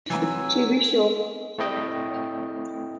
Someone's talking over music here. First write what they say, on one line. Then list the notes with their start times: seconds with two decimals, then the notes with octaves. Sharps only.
To be sure,’ rejoined the landlord.
0.10 E3 F#3 C4 G#5 E6
1.58 A3 C4 E4 D#5 G5